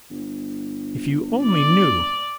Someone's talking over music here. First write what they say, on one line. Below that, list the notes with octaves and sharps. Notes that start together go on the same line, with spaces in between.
If you only knew!
G1
D5